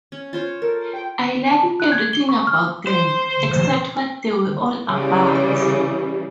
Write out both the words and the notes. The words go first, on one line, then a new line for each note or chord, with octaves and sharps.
I like everything about them, except what they were all about.
C#4
F4 C5 C#5
A4 A#4
G5
A5
F4
F#6
G#6
G7
C#6
F6
C5
C#3 E3 G3